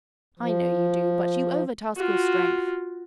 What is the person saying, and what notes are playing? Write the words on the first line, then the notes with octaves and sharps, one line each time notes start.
'I know you do, but you overtask your strength.
F3
F4 F#4